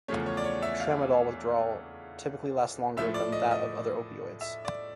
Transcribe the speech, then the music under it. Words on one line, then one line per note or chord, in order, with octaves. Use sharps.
Tramadol withdrawal typically lasts longer than that of other opioids.
E2 C#3 F3 A3 C#5
C#5
D5
C#5
E5
F5
A2 F3 A3 E5
D5
D#5
D#5
E5
D5